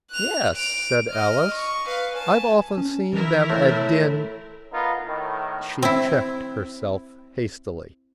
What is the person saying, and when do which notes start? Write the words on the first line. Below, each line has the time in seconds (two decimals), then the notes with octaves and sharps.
'Yes,' said Alice, 'I've often seen them at dinn--' she checked herself hastily.
0.11 F#6 F7
0.56 D7 F7
1.09 D#5 F6
1.54 C#6
1.86 B4 F5
2.15 G#5 A5
2.78 C#4
3.13 E3 E4 A#4
3.49 A2 C6
4.73 B3 D#4 F4 A#4
5.05 A2 D#3
5.82 C4 E4